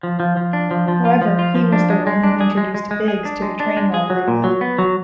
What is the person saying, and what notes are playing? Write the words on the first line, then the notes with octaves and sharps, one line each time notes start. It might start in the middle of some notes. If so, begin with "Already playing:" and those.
However, he was the one who introduced Biggs to the train robbery plot.
F3
F3
F3
D4
F3
F3
F4
F3
F4
F3
D4
G#3
G#3
D4
G#4
G#3
G#3
G#3
G#4
D4
G#3
D4
G#3
G#4
F#3
A#2
F#3
B3
F#3